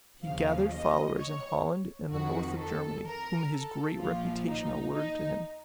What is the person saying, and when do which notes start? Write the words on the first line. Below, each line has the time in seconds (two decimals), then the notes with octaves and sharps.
He gathered followers in Holland and the north of Germany whom his great reputation allured to him.
0.24 D#2 C#3 F3 F5
0.72 D#5
1.18 C#5
2.12 F2 D#3 F#4
2.59 A4
3.07 A#4
3.54 A4
4.00 A#1 A#2 F3 F4
4.48 D#4
4.95 D#4